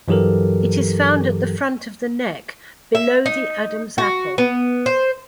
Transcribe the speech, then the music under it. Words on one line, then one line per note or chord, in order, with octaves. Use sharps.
It is found at the front of the neck, below the Adam's apple.
G2 E3 F#3 G4 A4 A#4
E5
D#4
F#4
B3
C5